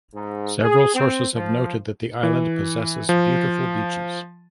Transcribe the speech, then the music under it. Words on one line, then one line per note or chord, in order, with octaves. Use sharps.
Several sources have noted that the island possesses beautiful beaches.
G#2
G#4
C4
F3
E3
F3